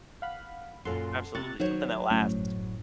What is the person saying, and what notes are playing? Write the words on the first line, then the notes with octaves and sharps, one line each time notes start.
Absolutely, something that lasts.
F5 F#5 B5
F#2 A#2 A4 F#5 C6
C3 C#6 F#6 A6
D#3 F#3 C5 C#5
G1 F#2 A2